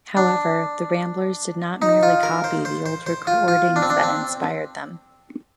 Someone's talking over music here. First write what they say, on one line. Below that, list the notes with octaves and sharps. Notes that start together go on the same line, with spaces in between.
However, the Ramblers did not merely copy the old recordings that inspired them.
D4
D#4
F4
A#4
C5
C5
C5
C5
F4
F4
D4
C4
D4
C4